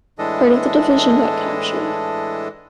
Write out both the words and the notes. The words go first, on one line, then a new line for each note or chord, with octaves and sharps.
Part of the division got captured.
A2 E3 G#3 D4 A4 D#5